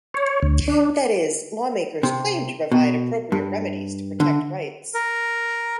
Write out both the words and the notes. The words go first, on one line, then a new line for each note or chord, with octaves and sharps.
That is, lawmakers claim to provide appropriate remedies to protect rights.
C#5
D2
D4
C3
B2
G2
D3
A#4